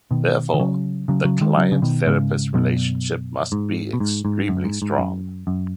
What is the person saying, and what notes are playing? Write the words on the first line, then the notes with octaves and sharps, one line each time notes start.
Therefore, the client-therapist relationship must be extremely strong.
B2 D#3
D#3
C#3 F#3
C#3 F#3
C#3 F#3
D#3 G#3
C#3 F#3
C#3
B2 D#3
G#2 C#3
F#2 B2
G#2
B2
G#2
G#2
F#2
G#2
G#2
F#2
F#2